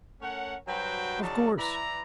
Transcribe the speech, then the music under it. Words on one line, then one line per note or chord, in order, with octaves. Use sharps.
"Of course."
A3 C#4 A#4 C#5 F#5
G2 F#3 F#4 B4 C5 G5
C#3 F#3 C#4 D#4 D5 A5
E3 E4 B4 D5 A#5